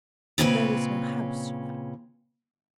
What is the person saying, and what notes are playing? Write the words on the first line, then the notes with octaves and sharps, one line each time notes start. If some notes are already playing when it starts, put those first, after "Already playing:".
"There is no house, you know."
A#2 C#3 C4 C#4 G4 B4